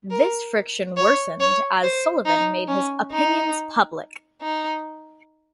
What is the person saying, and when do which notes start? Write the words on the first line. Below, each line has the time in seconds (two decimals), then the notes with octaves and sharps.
This friction worsened as Sullivan made his opinions public.
0.10 A#4
0.97 C#5
1.40 C#5
1.83 C5
2.26 D#4
2.68 C#4
3.12 D#4
4.41 D#4